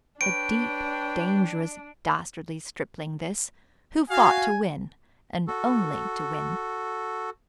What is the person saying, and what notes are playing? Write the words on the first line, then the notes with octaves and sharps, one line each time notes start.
A deep, dangerous, dastardly stripling this, who fought to win and only to win.
D4 B4 C#5 G5 D7
F#4 F5 G#5
F#4 A4